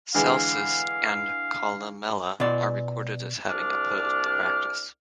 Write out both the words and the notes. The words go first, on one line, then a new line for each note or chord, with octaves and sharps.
Celsus and Columella are recorded as having opposed the practice.
D3 E3 G#3 F5
B2 D5
C2 D4 D6 F6